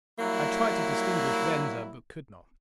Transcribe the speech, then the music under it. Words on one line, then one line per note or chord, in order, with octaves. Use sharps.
I tried to distinguish Venza, but could not.
F#3 G3 A#3 E4